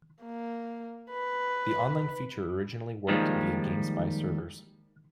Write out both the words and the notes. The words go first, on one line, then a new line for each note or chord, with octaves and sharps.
The online feature originally worked via GameSpy servers.
A#3
B4
D#2 D#3 F3 G3 G#3